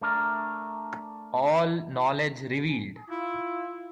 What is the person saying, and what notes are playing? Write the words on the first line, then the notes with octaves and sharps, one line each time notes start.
All Knowledge Revealed.
A3 D4 A#4
E4 F4